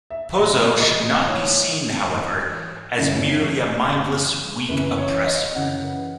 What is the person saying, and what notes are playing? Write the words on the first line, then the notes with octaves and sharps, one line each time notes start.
Pozzo should not be seen, however, as merely a mindless, weak oppressor.
E5
G#2 E3 D#5
D#5
G#2 E3 C#5
G#2 E3
F#2 C#3 E3
F#2 C#3 E3
F#2 C#3 E3 B4
C#5
D#5
F#2 C#3 E3 F#5
B4